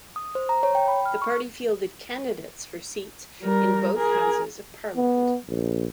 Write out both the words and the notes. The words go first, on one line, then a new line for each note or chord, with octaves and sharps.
The party fielded candidates for seats in both houses of Parliament.
D#6
C5
A#5
C#5
G5
B5
F6
C#6
G3 A#4
G#4 A#4
B3
A#1